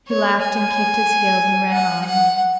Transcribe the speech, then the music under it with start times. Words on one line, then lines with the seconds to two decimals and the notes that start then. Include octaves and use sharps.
He laughed and kicked his heels and ran on.
0.08 C#5
0.41 G#5
1.72 F#5
2.05 F#5